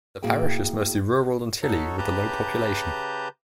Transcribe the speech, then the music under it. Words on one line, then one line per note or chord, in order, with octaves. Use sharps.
The parish is mostly rural and hilly with a low population.
A2 A#3 F#4 G#4 G5
D#4 F#4 A4 C#5
C#3 G4 B4 A5 A#5 G6